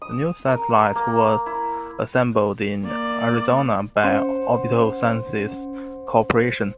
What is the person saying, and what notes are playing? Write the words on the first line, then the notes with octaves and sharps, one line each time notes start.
The new satellite was assembled in Arizona by Orbital Sciences Corporation.
D#6
A#4
A#3
E4
A#3 D5
C#4 C5 F#5